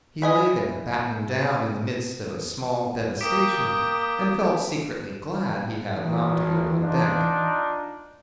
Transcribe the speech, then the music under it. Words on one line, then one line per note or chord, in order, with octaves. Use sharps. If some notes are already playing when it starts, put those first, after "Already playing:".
He lay there battened down in the midst of a small devastation, and felt secretly glad he had not to go on deck.
E3 D#5 G#5 B5
A#3 G5 D6 D#6 B6 D7
G#1 E3
D4 D#4 F4